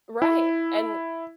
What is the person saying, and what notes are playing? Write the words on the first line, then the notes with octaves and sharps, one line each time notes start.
Right, and
E4